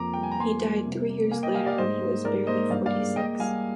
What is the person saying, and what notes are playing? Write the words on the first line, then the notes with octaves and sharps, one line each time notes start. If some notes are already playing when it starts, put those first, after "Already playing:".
He died three years later, when he was barely forty-six.
Already playing: F2 A#3 A#5 D6
G5
G3
G#5
A#5
A#3 G#5 C6
G3
C3
A#3
A#3 F5 G#5
D#5 G5
G3 F5 G#5
D5 F5
G#2 C5 D#5
A#3
G#2 A#4 D5
A#3 C5 D#5
G2 D5 F5
D5 F5
G#3
A#3 D#5 G5
G3 F5 G#5